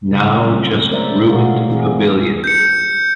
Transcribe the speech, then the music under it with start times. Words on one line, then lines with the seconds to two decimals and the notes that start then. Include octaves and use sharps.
Now just ruined pavilion.
0.11 C#3 G3
0.43 F#3 A3 A#3 C4 C#4 E4
0.90 G#3 B3 A#4 C5 D5 E5
1.26 B2 A3 F#4 G#4 A#4 F5
1.70 E3 C4 E4 F4 G#4
2.44 G6 C#7